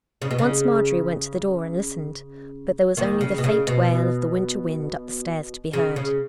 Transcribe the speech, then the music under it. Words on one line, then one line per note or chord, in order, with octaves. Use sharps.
Once Marjorie went to the door and listened, but there was only the faint wail of the winter wind up the stairs to be heard.
C#3
B2
C#3
D#2 D#3
C#3
B2
C#3
B2
C#3
C#3